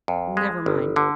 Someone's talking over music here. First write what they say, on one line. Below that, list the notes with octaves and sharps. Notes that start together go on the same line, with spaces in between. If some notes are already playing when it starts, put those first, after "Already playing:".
Never mind.
F2
G#3
G1
D3